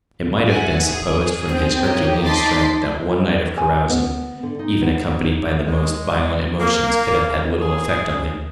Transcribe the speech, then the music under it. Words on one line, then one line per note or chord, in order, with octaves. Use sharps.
It might have been supposed from his Herculean strength that one night of carousing, even accompanied by the most violent emotions, could have had little effect on him.
E5 F#5 G#5
G#4
C4 C5 G5
A#3 G4 C#5 D#5
D#4 D#5 A5 C6 D6 A6 B6
G#5
B3
D3
D#4
B3
D#4
G#3
A#3
G#4